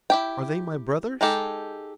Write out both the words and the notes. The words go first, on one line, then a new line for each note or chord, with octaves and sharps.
"Are they my brothers?"
E4 G4 G5
G#3 D#4 G4 A4